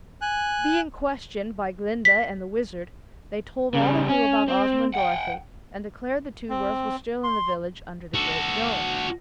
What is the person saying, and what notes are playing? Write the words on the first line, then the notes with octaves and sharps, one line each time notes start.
Being questioned by Glinda and the Wizard, they told all they knew about Ozma and Dorothy and declared the two girls were still in the village under the Great Dome.
G#5 F#6
B6
C#3 G3
C#4
C4
F#5 G5
C4
C6
F#4 A4